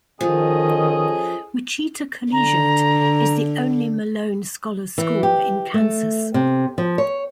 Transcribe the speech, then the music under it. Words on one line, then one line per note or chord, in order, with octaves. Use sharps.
Wichita Collegiate is the only Malone Scholars School in Kansas.
D#3 F3 C#4 G#4 A4 D#5
D3 A#5
E3
G4
A3
C3
F3
C#5